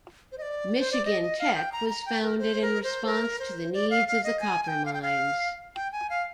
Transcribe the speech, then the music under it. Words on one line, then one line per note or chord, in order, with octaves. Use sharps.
Michigan Tech was founded in response to the needs of the copper mines.
C5
D#5
D5
C5
D5
D#5
D#5
F5
G5
A#5
A#5
G5
A#4
C5
A#4
C5
A#4
C5
D5
F5
F5
D#5
G#5
G#5
G5
F5
G5
F5
G5
G#5
F5